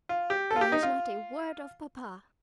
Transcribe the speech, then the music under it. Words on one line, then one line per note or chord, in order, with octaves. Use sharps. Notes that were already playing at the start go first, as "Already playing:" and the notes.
"There is not a word of papa!"
F4
G4
A4
F4
G4
D#4
F4